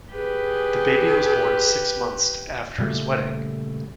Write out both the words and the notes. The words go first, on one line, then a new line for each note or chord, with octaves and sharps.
The baby was born six months after his wedding.
G4 G#4 B4
A#2 C#3 G3 A3